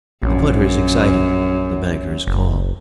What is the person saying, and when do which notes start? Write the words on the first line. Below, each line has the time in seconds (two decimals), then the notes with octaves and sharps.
The punter is excited, the banker is calm.
0.22 A#1 F#2
2.27 F#1